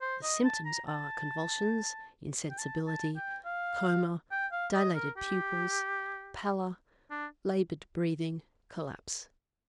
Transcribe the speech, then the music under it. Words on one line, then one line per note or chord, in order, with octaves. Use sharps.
The symptoms are convulsions, insensibility, coma, dilated pupils, pallor, laboured breathing, collapse.
C5
D#5
A5
A#5
A5
G5
A5
A5
G5
F5
G5
F5
D#5
A#4
G4
D4